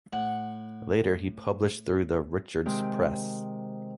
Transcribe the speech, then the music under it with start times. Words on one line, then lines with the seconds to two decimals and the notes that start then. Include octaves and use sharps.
Later he published through the Richards Press.
0.13 A2 F#5
2.66 C3 D#3 G#3 C4